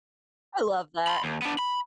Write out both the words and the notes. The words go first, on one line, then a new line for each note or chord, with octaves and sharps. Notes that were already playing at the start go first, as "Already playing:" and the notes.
I love that.
B5 C6
D#2
B3 D4
B5